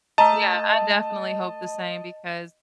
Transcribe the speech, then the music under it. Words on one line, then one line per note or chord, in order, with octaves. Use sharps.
Yeah, I definitely hope the same, because
A3 D#5 A5 A#5